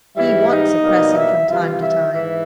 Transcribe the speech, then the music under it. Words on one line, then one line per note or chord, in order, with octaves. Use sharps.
He wants suppressing from time to time.'
G#2 E3 G3 E4 E5
D#4 D#5
B2 G3 A#3
E4 E5
C3 E3 G3 F4 F5
E4 E5
G#2 E3 E4 E5